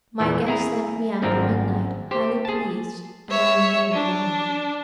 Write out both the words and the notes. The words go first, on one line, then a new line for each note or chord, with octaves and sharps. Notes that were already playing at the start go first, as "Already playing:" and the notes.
My guests left me after midnight, highly pleased, and I remained alone.
E2 A#2 E3
E4 G#4 A#5
G#1 F#2 C4 D4 F4 A#4
G4 C5
G#4 A5
C#5 E5
D4